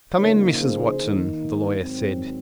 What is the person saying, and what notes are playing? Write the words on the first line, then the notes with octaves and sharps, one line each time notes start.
"Come in, Mrs. Watson," the lawyer said.
C#3 F3 A#3 D#4 A#4 C#5
G#4 C5
D#3 A#3 D#4
G#2 D#3 F#3 C4